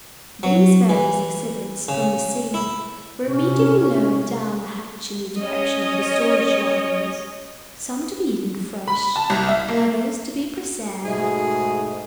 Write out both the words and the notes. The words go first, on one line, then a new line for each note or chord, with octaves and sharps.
These various exhibits from the sea were immediately lowered down the hatch in the direction of the storage lockers, some to be eaten fresh, others to be preserved.
F#3
E3
C#3
E4
C3 C#4
C#4 C#5 D#5
B5
A5
C2
E5
A#3
G#2 B2 A3 G#4